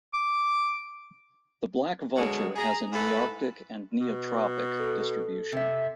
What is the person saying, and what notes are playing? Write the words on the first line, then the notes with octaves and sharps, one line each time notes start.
The black vulture has a Nearctic and Neotropic distribution.
D6
B2 D3 F#3 G#3 A#3 G#4
G#4 A#5
G#2 A3 E4 A4 B4 B5
B2
A4
C3 E5